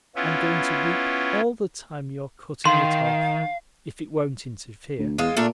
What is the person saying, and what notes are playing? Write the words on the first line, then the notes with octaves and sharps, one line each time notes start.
I'm going to weep all the time you're cutting it off, if it won't interfere.
B3 C#4 E4 F4
D#3 F5 C6
D2
E2 G#3 F4
A#2 A3 D4 A#4